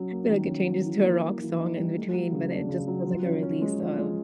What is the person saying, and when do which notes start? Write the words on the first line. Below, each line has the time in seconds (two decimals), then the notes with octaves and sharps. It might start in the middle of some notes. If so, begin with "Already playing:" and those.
like it changes to a rock song in between, but it just was like a release of
Already playing: F#3 C#4
0.11 A#3
0.29 D#3
0.48 C#4
0.66 F#3
0.85 E3
1.03 A#3
1.21 E3
1.40 E3
1.59 D#4
1.77 G3
1.96 A3
2.14 F#3
2.32 C#3
2.51 D4
2.69 C#3
2.88 F#3
3.06 F3
3.24 C#4
3.43 C#4
3.62 G#3
3.80 F3
3.98 G#3